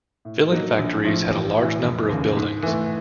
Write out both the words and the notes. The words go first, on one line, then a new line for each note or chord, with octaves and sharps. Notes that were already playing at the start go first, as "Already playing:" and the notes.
Filling factories had a large number of buildings.
A2
F#3 A#3 D#4
A#1
A2 F3
A1
A2 E3
F1
D#2 C#3
G#2
E3 A3